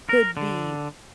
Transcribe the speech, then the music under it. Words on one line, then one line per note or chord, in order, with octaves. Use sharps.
could be
A#4
D3